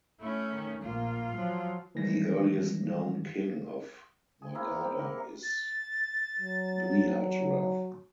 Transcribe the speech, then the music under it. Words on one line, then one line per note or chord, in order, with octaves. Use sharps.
The earliest known king of Magadha is Brihadrath.
A3 C#4 E4
D#3
A#1 A#3 F4
F3 F#3
D#3 E3 G3 G#3 A#6
G#4
A#3 C4 E4 A#4
G4
A#4
A6
F#3